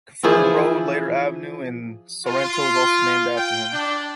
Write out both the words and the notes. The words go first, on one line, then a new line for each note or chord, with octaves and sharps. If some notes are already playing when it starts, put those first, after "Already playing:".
Kerferd Road, later Avenue, in Sorrento is also named after him.
E3 F3 E4 G#4
F4
G5
D4